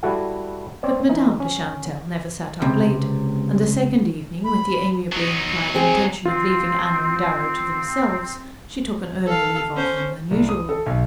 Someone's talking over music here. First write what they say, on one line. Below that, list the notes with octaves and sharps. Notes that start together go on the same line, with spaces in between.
But Madame de Chantelle never sat up late, and the second evening, with the amiably implied intention of leaving Anna and Darrow to themselves, she took an earlier leave of them than usual.
G3 E4 F#4 A4 F#5
C4 C#5 D5
E3 D#4
C#4
C#2 C3
B5
F#3 D#4
C4 G#4
C4 F4
A4 F5
C#4 C5
C2
D#6
A4
B1